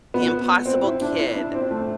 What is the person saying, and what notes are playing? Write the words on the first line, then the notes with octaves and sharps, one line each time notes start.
The Impossible Kid.
B3
C4
E4
D4
E4
D4
C4
A3